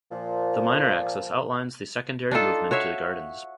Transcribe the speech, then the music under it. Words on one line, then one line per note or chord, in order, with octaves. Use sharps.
The minor axis outlines the secondary movement to the gardens.
A#2 F3
D4 D#4 F4 A4
F#4 C#5 E5 F5